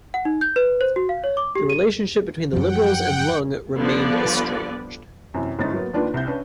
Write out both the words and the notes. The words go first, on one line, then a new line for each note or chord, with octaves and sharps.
The relationship between the Liberals and Leung remained estranged.
F#5
D#4
G6
B4
C5
F#4
F5
C#5
D6
G4
D#7
F#2 F3 F#5 G5
D3 F3 G3 B3 B4 D5
F#2 C3 E3
G1 G#2 C#4 E4 D#5 A6
F#3 A#3 B3
D#2 D#3 D4 F4 B4 D5
C2 G6
C#4 D4 B4